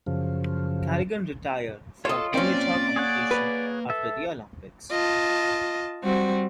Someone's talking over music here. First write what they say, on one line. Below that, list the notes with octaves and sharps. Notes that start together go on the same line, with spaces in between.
Kerrigan retired from amateur competition after the Olympics.
F#2 C#3 F3
F4 A4 C#5 D#5
A#3 C4 C#4 D5 C6
G#4 C#5 F#5
B4
A4 E5
F4 D#5 A5
G3 C4 F#4